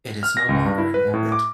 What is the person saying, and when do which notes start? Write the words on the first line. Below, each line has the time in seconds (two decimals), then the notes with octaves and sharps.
It is no longer in orbit.
0.23 F6
0.37 A#6
0.49 C#2
0.65 G2
0.78 E4
0.94 B4
1.14 A2
1.32 D6